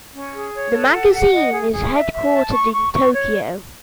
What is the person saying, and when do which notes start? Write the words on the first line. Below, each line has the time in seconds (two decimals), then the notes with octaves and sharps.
The magazine is headquartered in Tokyo.
0.13 C#4
0.33 G#4
0.53 C#5
0.73 A4
0.92 F#5
1.13 F#5
1.33 D#5
1.52 G#4
1.72 G#4
1.93 E5
2.13 E5
2.32 A5
2.51 C#6
2.73 C#6
2.93 C#6
3.12 C#5